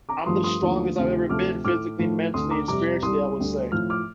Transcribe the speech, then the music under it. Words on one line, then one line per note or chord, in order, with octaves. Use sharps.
I'm the strongest I've ever been physically, mentally, and spiritually, I would say.
A#5 D6
G2 F3 A3 C6 D#6
C6 D#6
D#2 D3 F3 A3
D2 C3 D#3 A3
D2 C3 F3 A3 D6 F6
A2 A3 D6 F6
A2 F3 A3
D2 D3 A3 C6 D#6
A#5 D6
F2 C3 G3 A#5 D6
C2 C3 G3 C6 D#6
D2 D3 G3
A2 F3 A3 F6
D6 F6